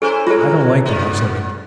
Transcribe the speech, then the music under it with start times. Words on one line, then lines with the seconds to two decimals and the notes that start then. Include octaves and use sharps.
I don't like the looks of it.
0.02 C#4 E4 A4 C5 G#5 A#5
0.27 G3 F4 A4 A#4 C#5 A#5
0.85 G#2 B3 D5